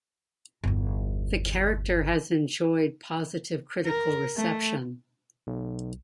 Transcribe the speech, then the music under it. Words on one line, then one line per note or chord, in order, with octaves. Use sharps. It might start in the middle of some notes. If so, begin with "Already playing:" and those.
The character has enjoyed positive critical reception.
G1 E2
A#4
A3
B1